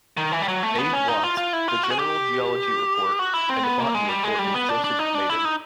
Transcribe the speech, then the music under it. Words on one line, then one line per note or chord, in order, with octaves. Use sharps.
A. Watt, the general geology report, and the botany report with Joseph Maiden.
D#3
E3
G3
F#3
A3
B3
C#4
D#4
F4
F4
E4
F4
F#4
G#4
G4
F#4
E4
C4
B3
A#3
G#3
G3
G#3
G3
B3
D4
D4
D#4
D4
E4
D#4